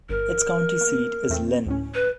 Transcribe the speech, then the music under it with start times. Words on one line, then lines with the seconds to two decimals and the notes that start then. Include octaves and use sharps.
Its county seat is Linn.
0.09 G1 A#4
0.81 A#3
1.30 E2 A3 C4
1.66 D2 A2 C#4
1.94 B4